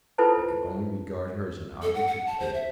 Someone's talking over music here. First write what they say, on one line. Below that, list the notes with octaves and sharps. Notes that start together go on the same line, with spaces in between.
I can only regard her as an object of pity!
E4 F4 A4 B4 C5 A5
A4
F#5
F#5
A5
C5
E5